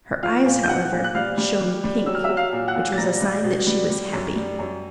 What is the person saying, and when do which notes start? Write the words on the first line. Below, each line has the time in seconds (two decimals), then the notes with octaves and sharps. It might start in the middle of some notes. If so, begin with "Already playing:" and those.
Her eyes, however, shone pink, which was a sign that she was happy.
0.23 F3 F5 F6
0.46 A#2
0.63 G6
0.69 A#2 F#5 F#6
0.92 A#2
1.04 F#6
1.15 G3 F5 F6
1.38 G3
1.61 G3
1.84 G3
2.06 F#3 E6
2.15 F6
2.24 E5 E6
2.29 F#3
2.37 F5 F6
2.53 A#2
2.68 F#5 F#6
2.76 A#2
2.92 A6
2.98 G3 A#5 A#6
3.22 G3
3.44 B2
3.67 G3
3.90 G3
4.13 F#2
4.36 G3
4.59 F#2